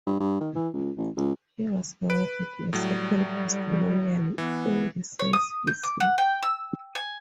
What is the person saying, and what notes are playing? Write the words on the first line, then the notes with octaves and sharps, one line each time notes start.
He was awarded a second testimonial in the same season.
G2
G2
D#3
E3
C#2
A1
C#2
B4 D7
A2 F#3 G3
E3 B3
C#5
D#6
G6
D6
F#5
G5
E6
G#5